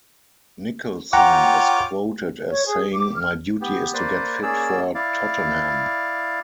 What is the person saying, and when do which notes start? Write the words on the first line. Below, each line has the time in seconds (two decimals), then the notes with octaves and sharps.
Nicholson is quoted as saying My duty is to get fit for Tottenham.
1.13 F4 C#5 F#5 G5 A#5 D6
2.49 C#5
2.66 G#4
2.93 D6
3.16 F6
3.61 B3 G4
3.94 A#3 B4 C5 D5
4.43 A#3 C#4 G#4 D5 E6
4.95 E4 D5 F5